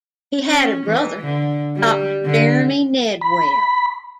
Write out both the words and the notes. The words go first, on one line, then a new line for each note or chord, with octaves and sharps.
He had a brother, Doctor Jeremy Nedwell.
C#4
E3
D3
G3
D3
B5